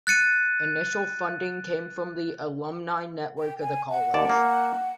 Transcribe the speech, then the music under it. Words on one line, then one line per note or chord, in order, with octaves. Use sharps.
Initial funding came from the alumni network of the college.
F#6 A6 C#7 D#7
G5
G#5
F#5
D#2 D5 A5
A#3